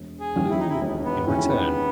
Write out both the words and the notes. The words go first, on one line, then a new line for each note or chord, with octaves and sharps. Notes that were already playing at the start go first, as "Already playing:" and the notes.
Halloo!' in return.
Already playing: E1
G#4
D#2 C#3 E3
E4
D#4
E4
E1
B3
D#2 C#3 E3 C#4
B3